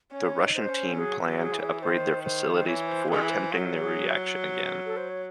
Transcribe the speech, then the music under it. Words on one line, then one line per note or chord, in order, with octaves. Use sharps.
The Russian team planned to upgrade their facilities before attempting the reaction again.
C#4 C#5
D#4
C5
C#4
F#3 G#4
F#3
G#4
E3
G#4
D#3 C5
C5
C5
E3 C#5
C5
E3 G#4
C5
F#3
G#4
A4
C5
C#5